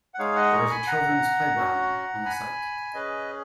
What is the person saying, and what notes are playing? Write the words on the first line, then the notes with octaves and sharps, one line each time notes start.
There is a children's playground on the site.
F#5
G#3 D#4 G#4 C#5 F5
D#5 F#5
A#5 C#6
G#5 B5
F#5 A#5
C#4 F#4
G#5 B5
C#4 G#4 B4 D#5